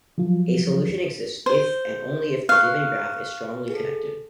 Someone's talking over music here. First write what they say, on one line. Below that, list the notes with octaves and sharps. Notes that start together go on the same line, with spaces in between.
A solution exists if and only if the given graph is strongly connected.
F3 F#3 F4
C5
F5 C#6 F#6
G#4 A4